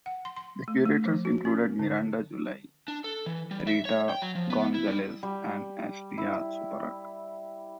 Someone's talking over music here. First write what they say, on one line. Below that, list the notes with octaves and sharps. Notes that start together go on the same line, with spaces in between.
The curators included Miranda July, Rita Gonzalez, and Astria Suparak.
F#5
C6
C6
A3
A3
F3
F#4
C#4
D3
D4
A4
E3
G3
E5
C#5
G5
F#3
F3
B3
E4
G3
G3
E4